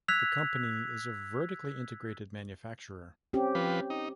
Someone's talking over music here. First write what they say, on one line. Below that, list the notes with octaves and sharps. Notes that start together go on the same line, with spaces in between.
The company is a vertically integrated manufacturer.
E6 F#6 G#6 B6 F7
C4 C#4 G4
F3 B4
D#4